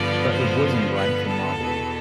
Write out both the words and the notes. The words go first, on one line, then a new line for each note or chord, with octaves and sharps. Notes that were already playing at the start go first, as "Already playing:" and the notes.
But it wasn't right for Marvel.
Already playing: G2 D3 F3 B3 D5
C5
B4
A4
E2 B2 B3